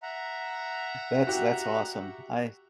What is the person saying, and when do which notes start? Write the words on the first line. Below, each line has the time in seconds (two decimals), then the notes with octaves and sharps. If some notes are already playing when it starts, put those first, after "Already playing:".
That's that's awesome. I
0.03 E5 F#5 A#5
1.27 F#4 G4